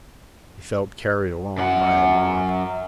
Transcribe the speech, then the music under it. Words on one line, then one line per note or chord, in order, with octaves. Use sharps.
He felt carried along by a mob.
F#2 F#5